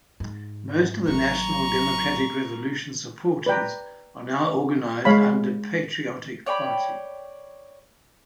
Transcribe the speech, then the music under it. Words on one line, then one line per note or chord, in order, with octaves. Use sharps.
Most of the National Democratic Revolution supporters are now organized under Patriotic Party.
G#2
A1 F#3 A#5 C#6
B4 D5 G5 A#5
G#3 C#5 F5 B5
C#5 D5 G5 B5